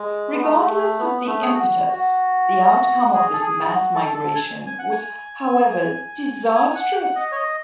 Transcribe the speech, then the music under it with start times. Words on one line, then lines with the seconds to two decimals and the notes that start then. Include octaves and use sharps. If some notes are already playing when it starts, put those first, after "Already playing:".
Regardless of the impetus, the outcome of this mass migration was, however, disastrous.
Already playing: G#3
0.33 B3
0.42 A3
0.52 G#3
0.60 A3
0.73 A3
0.99 B3
1.22 B3
1.26 A3
1.41 G#4
1.53 F#4
1.93 F#4
3.13 G#4
3.33 A4
3.41 G#4
3.61 E4
3.67 F#4
3.95 A4
4.14 A4
4.35 G#5
4.66 G#5
4.79 F#5
4.91 G#5
6.55 G#5
6.75 F#5
6.96 F#5
7.16 D#5
7.32 C#5
7.35 D#5